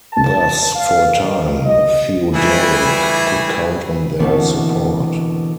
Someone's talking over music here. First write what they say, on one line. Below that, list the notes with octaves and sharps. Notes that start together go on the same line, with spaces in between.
Thus, for a time, Theoderic could count on their support.
A5
F5
D#3
D#5
E3 G3 A3 E4 G#4
B2 D3 E3 A3 A#3 C4